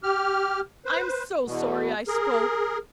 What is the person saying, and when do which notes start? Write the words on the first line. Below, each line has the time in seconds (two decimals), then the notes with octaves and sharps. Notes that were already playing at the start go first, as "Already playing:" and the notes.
I'm so sorry I spoke.
0.03 G4 F6
0.85 B4 C5
1.45 E2 B2
2.08 G#4 A#4